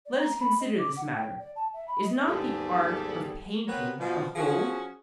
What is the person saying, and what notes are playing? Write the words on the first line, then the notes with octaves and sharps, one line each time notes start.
Let us consider this matter; is not the art of painting a whole?
D5
A#5
B5
D#5
D6
F#5
G5
D5
A5
E5
B5
D#5
D#2 G#2 G3 B3 G#4 A4
B3 C4 A#4 B4 C#5
B2 F3
F3 C#4 F#4 G#4